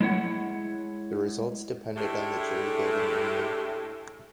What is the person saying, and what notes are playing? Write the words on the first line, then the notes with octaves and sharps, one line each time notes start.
The results depended on the jury voting only.
G#3 E4 C#5 F#5
A2 G#3 A3 D4 E4 G4